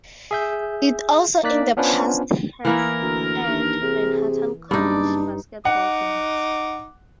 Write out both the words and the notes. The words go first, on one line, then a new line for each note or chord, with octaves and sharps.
It also in the past has aired Manhattan College basketball games.
G#4 E5 G6
A#3 D#4 D5 F#6 B6
B3 C#4 D4 F4 B4 C5
E3 A#3 E4 A#4
D2
D#2 D4
C3 G#4
F#1 G2 D4 D#4 D5
D#4 F#5 D6